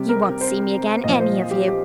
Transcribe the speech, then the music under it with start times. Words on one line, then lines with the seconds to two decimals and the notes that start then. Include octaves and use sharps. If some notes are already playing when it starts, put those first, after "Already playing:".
You won't see me again, any of you.
Already playing: C3 G3 G4
0.09 A#4
0.41 C5
1.04 A#2 F3 D#5
1.20 C5
1.51 G4
1.67 G4